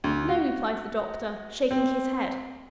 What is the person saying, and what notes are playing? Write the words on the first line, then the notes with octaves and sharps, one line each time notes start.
'No,' replied the Doctor, shaking his head.
D2
F#4
C4